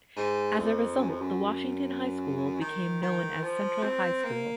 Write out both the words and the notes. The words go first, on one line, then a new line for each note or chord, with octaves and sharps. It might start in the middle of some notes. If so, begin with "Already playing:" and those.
As a result, the Washington High School became known as Central High School.
G#2
F2
F#2
F2
F#2
D#3
D#3
F3
C4
A#3